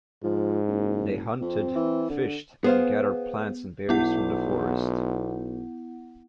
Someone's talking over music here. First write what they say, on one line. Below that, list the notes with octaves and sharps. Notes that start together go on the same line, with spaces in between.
They hunted, fished and gathered plants and berries from the forest.
G#2 F3
F#1
F2 C4
E3
D3
B3 G#4 C5 F5
B1 B3 E4 F#5